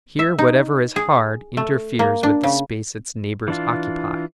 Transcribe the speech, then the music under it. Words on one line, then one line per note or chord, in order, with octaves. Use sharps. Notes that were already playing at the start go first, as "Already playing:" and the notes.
Here whatever is hard interferes with the space its neighbors occupy.
E5
D#4
G#4
A3
A#3
D4
C#3
E3 D4 F4